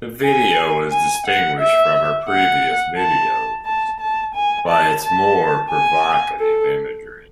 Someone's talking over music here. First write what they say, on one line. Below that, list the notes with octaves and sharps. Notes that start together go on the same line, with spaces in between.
The video is distinguished from her previous videos by its more provocative imagery.
G#5
G#5
F#5
E5
F#5
A5
A5
A5
G#5
A5
A5
G#5
A4